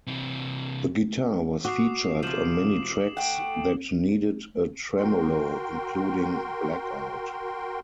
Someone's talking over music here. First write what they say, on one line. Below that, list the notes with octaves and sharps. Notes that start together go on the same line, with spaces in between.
The guitar was featured on many tracks that needed a tremolo, including "Blackout".
C3 E3
F#4 D6 D#6 C7
C3 F3 E7 F#7
A3 F#5 G5
F#4 A#4 G5 C6